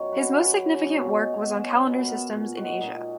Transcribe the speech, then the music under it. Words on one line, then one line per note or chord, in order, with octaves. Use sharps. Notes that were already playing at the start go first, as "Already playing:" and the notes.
His most significant work was on calendar systems in Asia.
Already playing: F#2 D#3 C#4 C#5
F#3 B4
C#4 B4
C#4
B2 C#5
G#3 D#5
B2
C#4
B2 A#4 B4
B3 A#4
A#2
G#3 F#4
A#2 D#4